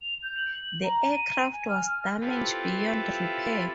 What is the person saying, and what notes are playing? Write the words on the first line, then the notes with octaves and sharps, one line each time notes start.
The aircraft was damaged beyond repair.
F7
G6
F#7
A#5
D#7
G#5
F6
C4 E4 F4 G4 A4 B4